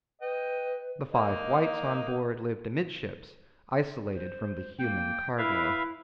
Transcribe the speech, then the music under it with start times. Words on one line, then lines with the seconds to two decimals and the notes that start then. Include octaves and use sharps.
The five whites on board lived amidships, isolated from the human cargo.
0.22 B4 D#5 G5
1.12 A#3 D#4 D#5
4.13 C5
4.79 A#3 G5
5.38 E4 B4 E5 F5